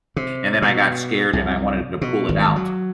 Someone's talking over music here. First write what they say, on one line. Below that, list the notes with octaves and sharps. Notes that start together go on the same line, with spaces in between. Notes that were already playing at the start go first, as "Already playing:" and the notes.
and then I got scared and I wanted to pull it out,
C3
B2
C2
B2
G#1
F#3